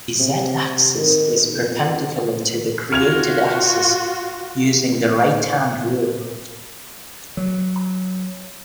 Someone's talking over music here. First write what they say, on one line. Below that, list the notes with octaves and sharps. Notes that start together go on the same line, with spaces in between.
The z-axis is perpendicular to the created axis using the right-hand rule.
C3
C3
D#3
F2
F4 F#4 F6 G#6 F7
F#3